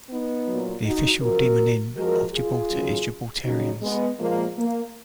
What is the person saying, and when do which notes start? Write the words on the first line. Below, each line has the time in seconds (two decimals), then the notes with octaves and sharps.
The official demonym of Gibraltar is "Gibraltarians".
0.10 B3 D#4
0.47 A#2 F#3
0.85 D#4 F#4
1.22 F#2 C#3 F3 F#4 A#4
1.96 F2 F3 G#3 F#4 A#4
2.33 F4 G#4
2.71 D#2 C#3 F#3
3.44 F2 C#3 F#3 D#4 F#4
3.81 G#3 B3
4.19 A#2 F3 G#3 A#3
4.57 A#3